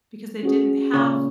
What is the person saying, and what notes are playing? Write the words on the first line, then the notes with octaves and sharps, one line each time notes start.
because they didn't have
C#4 F#4 G#4
A#2 C#3